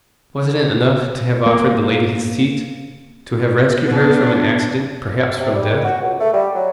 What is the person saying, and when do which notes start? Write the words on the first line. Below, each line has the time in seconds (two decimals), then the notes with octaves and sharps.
Wasn't it enough to have offered the lady his seat, to have rescued her from an accident, perhaps from death?
1.46 A#3
3.87 B3 D4
5.39 C3
5.54 G3
5.69 D#3
5.84 F#4
6.01 C#2
6.20 A3
6.33 G3
6.55 F#3